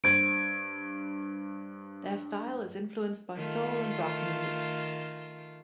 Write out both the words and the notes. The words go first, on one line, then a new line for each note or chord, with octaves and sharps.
Their style is influenced by soul and rock music.
G2 C5 G#6 D7
D#3 A3 F4